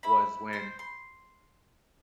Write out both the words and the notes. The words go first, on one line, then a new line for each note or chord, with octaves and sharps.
was when,
E4 B5
C5 C6
C6